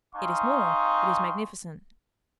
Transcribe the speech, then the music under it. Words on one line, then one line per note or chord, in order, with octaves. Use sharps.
"It is more--it is magnificent."
C4 D#4 F5 G#5 C6 C#6